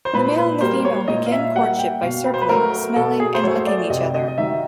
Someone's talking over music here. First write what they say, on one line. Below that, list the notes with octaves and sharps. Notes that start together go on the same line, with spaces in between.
The male and the female begin courtship by circling, smelling and licking each other.
C5
A#2 B4
B4
G3 A#3 C5
C#5
A#2 D#5
F5
E5
G3 A#3 F#5
G5
B2 F5
B4
C5
B4
F#3 A3 A#4
B2 A4
G#4
C5
F#3 A3 C#5
D5
C3 D#5
D#5
D#5
D#3 F#3 E5